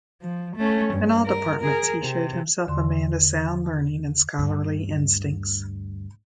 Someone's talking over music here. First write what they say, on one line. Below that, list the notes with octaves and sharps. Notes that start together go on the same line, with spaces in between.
In all departments he showed himself a man of sound learning and scholarly instincts.
F3
A3 C#4
G2
A#4
G#4 A#4
C3
E2 D3 C6
D2 G2